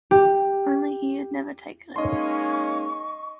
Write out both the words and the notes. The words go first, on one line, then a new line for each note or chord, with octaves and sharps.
Only he had never taken it.
G4
G#3 A#3 C#4 D#4 D#5 C6 C#6